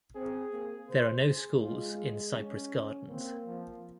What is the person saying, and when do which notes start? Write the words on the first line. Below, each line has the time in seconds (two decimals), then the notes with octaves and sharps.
There are no schools in Cypress Gardens.
0.15 C4 G#4
0.52 A#3
0.89 C5
1.25 G#4
1.62 G#3 F4
2.35 C#4
3.08 A#3 C4
3.46 F3